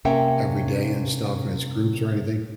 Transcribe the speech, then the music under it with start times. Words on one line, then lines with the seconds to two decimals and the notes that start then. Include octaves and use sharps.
every day and stuff as groups or anything?
0.05 C3 A#3 C#4 A#4 E5 G5